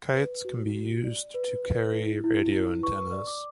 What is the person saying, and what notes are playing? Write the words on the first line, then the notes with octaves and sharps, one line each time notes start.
Kites can be used to carry radio antennas.
B4
F#4
F#4
D5
B4
B4
E4
E4
E4
B4 C#6
D5
D6